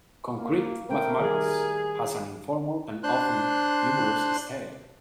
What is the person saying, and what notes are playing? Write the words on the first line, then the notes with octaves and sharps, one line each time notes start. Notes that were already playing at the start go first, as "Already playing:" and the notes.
"Concrete Mathematics" has an informal and often humorous style.
A#3 F5
A3 A4 A#4 C5 G5
D#3 G3 G#4 G#5
D4 C5 C6 F#6